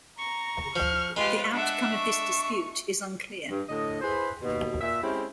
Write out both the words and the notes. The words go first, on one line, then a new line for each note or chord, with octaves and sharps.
The outcome of this dispute is unclear.
A#5 C#6
F3 F6
G#3 F4 G4 B4
D4 E5 F#5
C#6
G2
A2 D3 A4 D#5
E4 G#4 B4 C5
D#2 B2
A#2 E5
G#3 C4 C#4 E4 G4